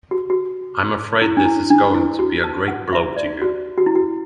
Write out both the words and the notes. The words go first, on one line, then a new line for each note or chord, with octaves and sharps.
I'm afraid this is going to be a great blow to you.
F#4
F#4
E4
D4
E4
D4
E4
F#4
A5
F#5
E5
D5
F#4
F#4
E4
F#4